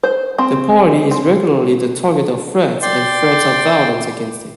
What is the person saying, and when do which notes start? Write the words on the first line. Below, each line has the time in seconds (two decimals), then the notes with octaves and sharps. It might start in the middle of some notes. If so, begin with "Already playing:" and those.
The party is regularly the target of threats and threats of violence against it.
0.03 C5
0.38 C4
1.11 C4
2.82 D5 G5 C6